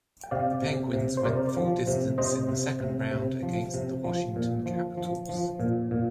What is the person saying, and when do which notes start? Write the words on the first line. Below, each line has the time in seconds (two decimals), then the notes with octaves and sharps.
The Penguins went the full distance in the second round against the Washington Capitals.
0.24 G5
0.31 C3 D5 F5
0.62 C3
0.93 C3
1.17 C5
1.25 C3 A#4 D5
1.57 F3
1.87 C3
2.18 C3 C5 D#5
2.49 C3
2.81 C3
3.11 C3
3.43 F3
3.74 C3
4.04 F3
4.36 A#2
4.66 F3
4.98 F3
5.29 F3
5.60 A#2
5.91 A#2